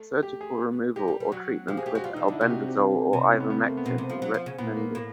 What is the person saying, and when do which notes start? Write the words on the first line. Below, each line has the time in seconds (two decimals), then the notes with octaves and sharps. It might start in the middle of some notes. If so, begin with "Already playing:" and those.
Surgical removal or treatment with albendazole or ivermectin is recommended.
Already playing: A3
0.23 G4
0.41 G#4
0.96 G#3 G4
1.08 G3
1.20 G3
1.32 F#3 F#4
1.68 F3 G4
1.77 G#3 G#4
1.86 A3 G4
1.95 G#3 F#4
2.04 G3 F4
2.14 D#4
2.16 E3
2.22 D4
2.28 D3 E4
2.41 C3 F#4
2.50 G4
2.68 G4
2.77 F4
3.13 C3
3.22 D#4
3.31 C#4
3.40 B3
3.50 B3
3.59 A#3
3.67 A3
3.77 B3
3.86 B2 C4
3.98 C3
4.10 F3
4.22 F#3
4.34 F3
4.46 C#3
4.58 A#2 B3
4.77 A#3
4.95 A2 A#3